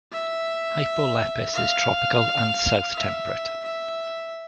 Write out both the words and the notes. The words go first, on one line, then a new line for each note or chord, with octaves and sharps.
"Hypolepis" is tropical and south-temperate.
E5
F5
E5
E5